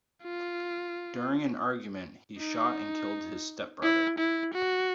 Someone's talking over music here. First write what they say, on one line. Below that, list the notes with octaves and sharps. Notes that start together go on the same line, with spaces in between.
During an argument, he shot and killed his stepbrother.
F4
D#4
E4
E4
F#4